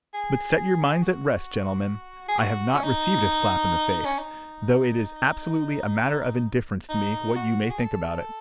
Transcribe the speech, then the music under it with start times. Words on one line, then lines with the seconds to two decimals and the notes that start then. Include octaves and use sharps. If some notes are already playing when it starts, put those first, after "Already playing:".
But set your minds at rest, gentlemen, I have not received a slap in the face, though it is absolutely a matter of indifference to me what you may think about it.
0.13 G#4
0.57 G#4
1.03 F#4
2.28 G#4
2.39 F#4
2.75 C#4
2.84 D#4
4.06 C#4
4.18 D#4
6.89 D#4
7.36 F#4
7.71 G#4
7.80 A4